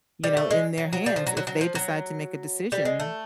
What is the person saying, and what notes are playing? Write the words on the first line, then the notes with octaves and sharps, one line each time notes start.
you know, in their hands if they decide to make a decision
G3
A3
G#3
F#3
F#3
G3
F3
F#3
F#3
F#3
F3
F#3
G3
G#3
A3